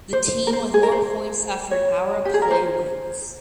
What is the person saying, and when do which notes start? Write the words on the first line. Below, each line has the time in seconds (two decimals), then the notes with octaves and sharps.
The team with more points after an hour of play wins.
0.13 C5
0.47 A#4
0.53 C5
0.74 G#4
0.83 A#4
0.92 C5
1.71 C#5
2.25 G4
2.34 G#4
2.42 A#4
2.51 C5